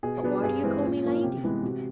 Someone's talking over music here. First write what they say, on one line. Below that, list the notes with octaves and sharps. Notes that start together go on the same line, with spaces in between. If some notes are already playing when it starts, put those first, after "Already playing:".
But why do you call me 'Lady'?
B2 G#4
F#3 B3 D4
G2 G#4
E3 G#3 C4
A#2
F3 A#3 C#4
C3 G4
E3 G#3 B3
C3 F#4